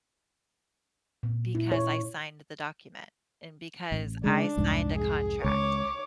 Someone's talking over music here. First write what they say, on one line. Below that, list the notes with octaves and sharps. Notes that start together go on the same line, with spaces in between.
b because I signed the document and because I signed a contract,
A#2
E4
C#5
A1
C#3 G#3 D4
C2 F2 G#2
G#4
C#2 C#5 D6